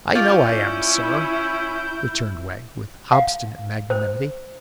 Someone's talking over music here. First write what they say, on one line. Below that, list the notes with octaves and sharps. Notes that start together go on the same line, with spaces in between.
'I know I am, sir,' returned Wegg, with obstinate magnanimity.
C#4 E4 F4 D5 G6
F5
C5